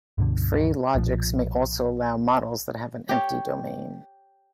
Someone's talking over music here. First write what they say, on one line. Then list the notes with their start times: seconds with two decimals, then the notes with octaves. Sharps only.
Free logics may also allow models that have an empty domain.
0.18 C#2 G2 B2 D3
0.95 B1 A#2 C#3 F3
3.09 G4 C#5